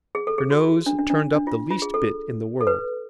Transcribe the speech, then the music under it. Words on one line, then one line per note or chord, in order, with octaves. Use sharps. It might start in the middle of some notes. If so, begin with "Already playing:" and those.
Her nose turned up the least bit in the world.
G#4
A4
G#4
F#4
D4
D4
D4
D4
F4
F4
G#4
A4
A4
B4